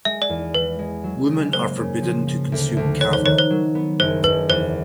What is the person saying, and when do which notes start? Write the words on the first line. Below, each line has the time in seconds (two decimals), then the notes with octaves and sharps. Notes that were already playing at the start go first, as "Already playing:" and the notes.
Women are forbidden to consume kava.
0.05 G#3 E5
0.22 D5
0.29 E2
0.54 E3 B4
0.79 G#3
1.04 F#3
1.29 C#3
1.53 A#3 C5
1.77 C#3
2.02 F3
2.27 F3
2.52 D2
2.77 D2
3.01 D#3 C#5
3.13 C5
3.25 D#3 C#5
3.38 C5
3.50 F#3
3.75 B3
4.00 F#1 C5
4.24 F#1 B4
4.49 E2 C5